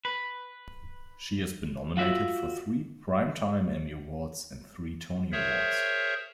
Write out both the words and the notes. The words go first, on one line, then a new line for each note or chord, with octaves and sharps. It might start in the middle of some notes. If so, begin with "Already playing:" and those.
She has been nominated for three Primetime Emmy Awards and three Tony Awards.
B4
F4 F#4 E5 F#5
G#4 A#4 C5 C#5 E5